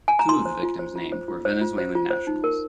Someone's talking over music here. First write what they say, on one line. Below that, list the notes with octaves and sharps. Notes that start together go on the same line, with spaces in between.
Two of the victims named were Venezuelan nationals.
G#5
A#5
F4 C6
C5
F4
C5
F4
C5
F4
C5
F4
C5
F4
C5
D#4
A#4